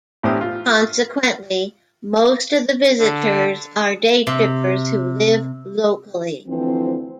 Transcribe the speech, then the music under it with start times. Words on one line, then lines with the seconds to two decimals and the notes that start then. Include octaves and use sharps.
Consequently most of the visitors are day trippers who live locally.
0.23 A1 A2 D4 G4 C5 D#6
0.41 F4
2.99 D3
4.27 C3
6.47 D2 E3 F3 C4